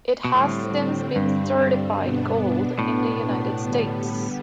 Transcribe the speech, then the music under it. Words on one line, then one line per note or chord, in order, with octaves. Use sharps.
It has since been certified Gold in the United States.
B2
A2 D3 G3 C4
G2
B2 B3 D4
A2
D3 G3 B3